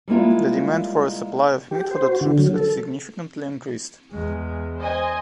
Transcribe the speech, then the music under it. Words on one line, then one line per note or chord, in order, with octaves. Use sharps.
The demand for a supply of meat for the troops had significantly increased.
G3 G#3 A#3 E4 F4
G4
C5
F#4
D3
F#3
A4
E2 G#3
C5 D#5 G#5